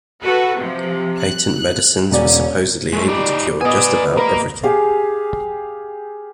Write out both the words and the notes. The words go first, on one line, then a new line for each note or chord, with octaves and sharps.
Patent medicines were supposedly able to cure just about everything.
F#4 A4 B4
C3 F3
F#6
E1 C#4 D5
G#3 A3
G3 D#4 D5
B3 D5 D#5 G#5
A#3 A#4 B5
G4 G#4 F5